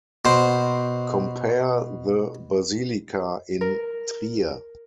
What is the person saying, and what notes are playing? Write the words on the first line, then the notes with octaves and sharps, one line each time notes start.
Compare the Basilica in Trier.
B2 C5
A#4